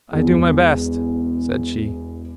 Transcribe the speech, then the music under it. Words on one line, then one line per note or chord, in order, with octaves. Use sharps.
"I do my best," said she.
E1 E2